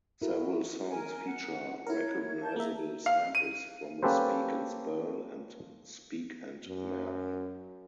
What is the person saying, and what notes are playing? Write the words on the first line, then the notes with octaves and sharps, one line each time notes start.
Several songs feature recognizable samples from a Speak and Spell and Speak and Math.
E4 F#4 A4 A#4
A#4 G#5
F#5
E4 A#4 C#5
A5 G6
A#3 E5 A#5
F5
D#7
A#3 C#4 G4 A4 B4 C5
F#2